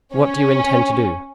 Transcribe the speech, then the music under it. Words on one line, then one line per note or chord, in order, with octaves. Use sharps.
What do you intend to do?
C#4